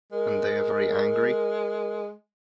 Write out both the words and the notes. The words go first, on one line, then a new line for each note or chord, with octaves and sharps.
And they are very angry?
G#3 A#4